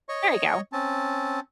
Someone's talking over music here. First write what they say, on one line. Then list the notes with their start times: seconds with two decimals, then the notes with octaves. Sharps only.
There you go.
0.09 C#5 D#5 C#6
0.73 C4 C#4 A5